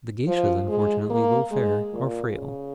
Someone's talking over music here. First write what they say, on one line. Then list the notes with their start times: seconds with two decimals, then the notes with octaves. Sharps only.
The geishas unfortunately, though fair, are frail.
0.27 F3
0.68 G#3
1.10 A#3
1.51 G#3
1.93 A#2
2.35 C#3